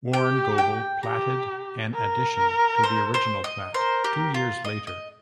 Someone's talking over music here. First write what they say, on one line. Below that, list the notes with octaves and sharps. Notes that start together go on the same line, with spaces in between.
Warren Goble platted an addition to the original plat two years later.
G4 G5
G5
G4 A#5
A#4
C5
C5
D#5
A#4 C5
G4
F4
D#5
D#5